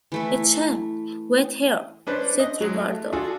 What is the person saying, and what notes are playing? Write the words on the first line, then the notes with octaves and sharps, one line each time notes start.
"It shall wait here," said Ricardo.
E3 A3 E5
C#4 D4 B4 C5
D#5
F#3 G#3
A3
D4 F4 F#4 G#4 A4